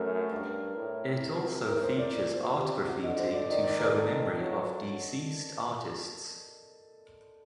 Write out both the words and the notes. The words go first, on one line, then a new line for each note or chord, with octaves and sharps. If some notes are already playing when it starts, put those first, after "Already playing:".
It also features Art graffiti to show memory of deceased artists.
Already playing: F#2 A3 A4 A#4
G2
A2
C3
A2 A#4
C5
D5
A#2 C5
C5
C3 G4
F#4
D3 D#5
C5
D5
D#3 D#5
D5
A#4
D#3 A4
F#3